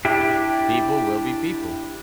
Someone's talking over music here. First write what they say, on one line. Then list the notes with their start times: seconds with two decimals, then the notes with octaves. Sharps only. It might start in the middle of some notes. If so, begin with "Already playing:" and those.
People will be people."
0.05 D4 E4 G4